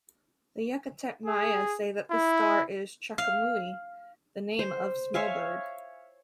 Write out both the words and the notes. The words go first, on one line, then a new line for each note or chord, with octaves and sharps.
The Yucatec Maya say that this star is "chakumuy", the name of small bird.
G#4
E4
F5
C5
C#5 E5 F5 G#5